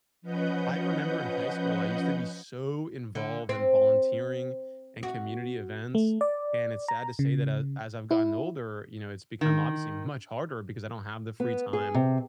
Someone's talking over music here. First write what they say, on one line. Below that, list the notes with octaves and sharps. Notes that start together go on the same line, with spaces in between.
I remember in high school, I used to be so involved in volunteering and community events, and it's sad to say that, a as I've gotten older, you know, it's become obviously much harder because I don't have the free time
F3 C#4 B4 D#5 F#5 G6
D3
C4
F#4
A3
D5
A#5
C#3
E4
D#3
B3
G#4
C3